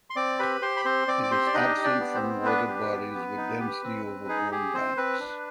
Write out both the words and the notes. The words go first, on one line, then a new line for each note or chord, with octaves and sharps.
It is absent from water bodies with densely overgrown banks.
C6
C4 D5 D6
G4 B4 B5
G4 C5 C6
B5
C4 C5 C6
C4 D5 D6
D6
G4 C5 C6
D5
D4 D#4 D#5
G4
D4 D5
B3
C4 C5
B3
D4 B4
G4
B3
B3
D#4
G4
C4
C4
D#4 G#4
G4 G#4
C4 C5
C4 B4
D4